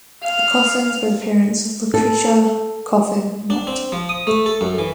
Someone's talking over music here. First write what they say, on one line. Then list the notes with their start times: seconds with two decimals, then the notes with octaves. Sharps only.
The Coffins were the parents of Lucretia Coffin Mott.
0.24 F5
1.94 A4
3.50 D4
3.67 C4
3.92 F3
4.09 D#6
4.27 A3
4.46 A4
4.61 F#2
4.78 E3